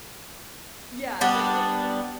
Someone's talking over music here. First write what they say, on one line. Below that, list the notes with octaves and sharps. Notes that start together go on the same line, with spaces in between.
Yeah, like they
G3 B3 D4